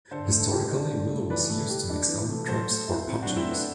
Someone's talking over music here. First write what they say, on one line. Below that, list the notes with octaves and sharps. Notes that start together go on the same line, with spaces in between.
Historically willow was used to make salmon traps or "putchers".
D3 A4 C5
A3
G4
D4
D3
A3
E3 B4 D5
A3
G4
D4
E3
A3
F#3 A4 C5
A3
E4
C4
F#3 D4 F#4
C4 E4
A3
B3 D4